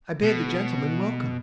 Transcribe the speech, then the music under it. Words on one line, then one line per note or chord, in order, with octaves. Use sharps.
I bade the gentlemen welcome.
B2